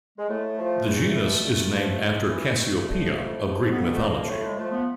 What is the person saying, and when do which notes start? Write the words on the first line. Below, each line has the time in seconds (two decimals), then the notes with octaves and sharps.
The genus is named after Cassiopeia of Greek mythology.
0.18 G#3
0.29 A2 A3
0.58 F3
0.86 E2 A3
1.15 B2
1.43 A#2
1.72 F3
2.01 A2
2.29 E3
2.57 G2 A3
2.86 D3 F3
3.14 F2
3.43 C3 F3
3.71 F2 B3
3.93 A3
3.99 D3 F3 A#3
4.28 A2 A3
4.42 G#3
4.57 F3 A3
4.71 B3